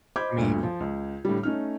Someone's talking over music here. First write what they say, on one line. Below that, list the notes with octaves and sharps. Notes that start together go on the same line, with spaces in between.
I mean
C5 D#5 B5 D6 G6 G#6
D2 G2
F3 F4
C#2
A2 D3 G3
A3 C#4 D#4 F6